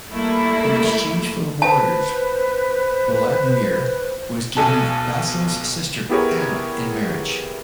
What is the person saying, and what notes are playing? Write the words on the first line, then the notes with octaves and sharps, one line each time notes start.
In exchange for the warriors, Vladimir was given Basil's sister, Anna, in marriage.
G3 A3 A#3 E4
B4 C5 A5
B1 B2 A4 G#5 A5
B3 E4 G4 G#4 A#4 C#5